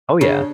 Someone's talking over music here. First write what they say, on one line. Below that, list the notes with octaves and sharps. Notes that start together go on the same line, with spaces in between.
Oh, yeah.
C#3 D4